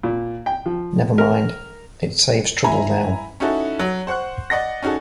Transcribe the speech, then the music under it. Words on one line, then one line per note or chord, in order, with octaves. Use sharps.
Never mind; it saves trouble now.
A#2
G5
F3
A#4
E4 G#5 A#5 B5
C#4 D#4 E4 F#4 A4
F#3 F#7
C5 F#5 C#6 F#6
D5 D#5 F#5 A#6
C#4 D#4 F#4 G#4 A4